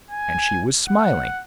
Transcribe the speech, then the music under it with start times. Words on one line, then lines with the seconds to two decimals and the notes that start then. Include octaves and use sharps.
And she was smiling.
0.11 G#5
0.88 F#5